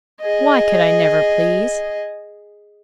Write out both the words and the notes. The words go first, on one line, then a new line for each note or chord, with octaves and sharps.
Why could I never please?
G#4 D#5